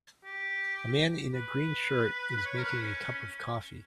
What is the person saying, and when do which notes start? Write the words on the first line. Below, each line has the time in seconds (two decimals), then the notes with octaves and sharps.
A man in a green shirt is making a cup of coffee.
0.25 G4
1.35 B4
2.37 B4
2.45 C#5
2.57 A#4
2.64 B4
2.83 C#4
3.14 C#4